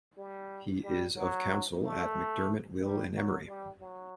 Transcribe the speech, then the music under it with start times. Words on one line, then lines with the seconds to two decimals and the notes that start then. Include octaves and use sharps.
He is of Counsel at McDermott Will and Emery.
0.18 G3
0.83 G3
1.17 F#3
1.83 A3
2.82 G3
3.15 F#3
3.47 G3
3.80 F#3